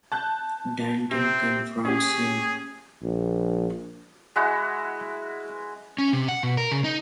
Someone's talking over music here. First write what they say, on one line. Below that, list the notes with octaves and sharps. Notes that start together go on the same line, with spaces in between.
Danton confronts him.
A5 F#6 G6
C3 C4
C#4 G4 G#4
A#1
G#3 E4 F#4 F#5
C#4
C3
F#5
B2
A#4
C#3
D#4